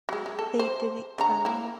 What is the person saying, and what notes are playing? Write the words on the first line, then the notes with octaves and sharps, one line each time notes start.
They didn’t come.
F#3 G#3
G#3
A4
C5
D3 C#5 A#5
A#3 E4